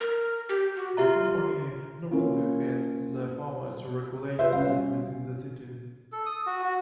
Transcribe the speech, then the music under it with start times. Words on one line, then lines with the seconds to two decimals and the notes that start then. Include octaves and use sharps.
The Company no longer has the power to regulate music within the City.
0.01 A#4
0.49 G4
0.76 F#4
0.97 F4 G4 E5 A#5
2.11 A#3 C#4 E4 F4
4.39 F4 G4 B4 C5 E5
4.52 G3 C#4 F5
6.12 A4
6.26 D#6
6.46 F#4
6.63 F#4